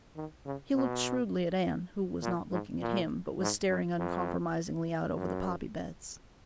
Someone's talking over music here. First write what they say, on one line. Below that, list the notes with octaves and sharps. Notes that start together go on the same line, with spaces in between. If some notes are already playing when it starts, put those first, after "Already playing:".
He looked shrewdly at Anne, who was not looking at him, but was staring uncompromisingly out over the poppy beds.
D#3
C#3
B2
A#2
G#2
A#2
G#2
F#2
F2
F#2